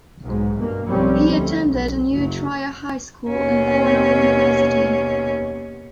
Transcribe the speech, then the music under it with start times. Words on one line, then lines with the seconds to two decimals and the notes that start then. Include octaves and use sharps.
He attended New Trier High School and Cornell University.
0.23 B1 G#2
0.58 G2 B2 A#3
0.89 B1 F3 G3 C4 C#4
1.34 D2
1.69 B1
2.10 F#1 F#3
3.28 D#2 B2 C#4